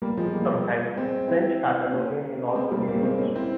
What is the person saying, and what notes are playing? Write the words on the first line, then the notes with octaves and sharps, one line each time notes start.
Sometimes French Catalonia can also be used.
G3 A#3
F3 G#3
G3 A#3
G#3 C4
C4 E4
A#3 C#4
G#3 C4
G3 A#3
G3 A#3
G#3 C4
A#3 C#4
C4 E4